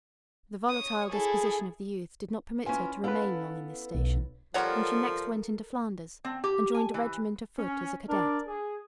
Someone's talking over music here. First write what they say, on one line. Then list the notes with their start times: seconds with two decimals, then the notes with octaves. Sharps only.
The volatile disposition of the youth did not permit her to remain long in this station, and she next went into Flanders, and joined a regiment of foot as a cadet.
0.69 C#5 D#6
1.12 E4 G#4 A4
2.66 E3 C#4 F4 G#5
3.04 B3 E4 A4 B4 F5
3.94 B1
4.54 F3 G3 A4 A#4 C#5 F#5
6.25 C4
6.44 G4
6.74 G#5
6.94 E3
7.58 C#4
8.09 D4 A#4 D5
8.46 G#4